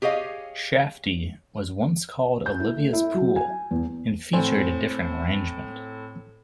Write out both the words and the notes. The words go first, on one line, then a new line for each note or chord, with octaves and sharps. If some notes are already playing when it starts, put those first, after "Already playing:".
"Shafty" was once called "Olivia's Pool", and featured a different arrangement.
G4 G#4 C#5 D#5 F5
G6
E4
A3
E4
F#3
G#5
E2
A2 C4 C5 G#5